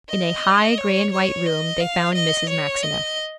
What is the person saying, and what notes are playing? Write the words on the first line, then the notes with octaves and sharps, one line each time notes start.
In a high gray-and-white room they found Mrs. Maxineff.
D#5
C#5
C#5
D#5
F5
D#5
C#5
D#5